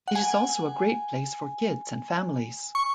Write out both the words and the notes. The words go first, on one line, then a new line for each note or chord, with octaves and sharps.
It is also a great place for kids and families.
F#5
G#5
C#6